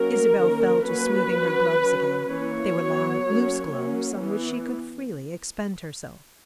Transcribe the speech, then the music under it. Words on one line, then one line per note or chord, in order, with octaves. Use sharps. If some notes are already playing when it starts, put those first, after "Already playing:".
Isabel fell to smoothing her gloves again; they were long, loose gloves on which she could freely expend herself.
Already playing: F#3 A#3 C#4 A#4
D#3 A#3 C#4
F#3 A#3 C#4 B4
F#3 C#4
F#3 C#4
E3 A#3 C#4 C#5
F#3 B3
F#3 A#3 C#4
F#3 A#3 C#4
E3 B3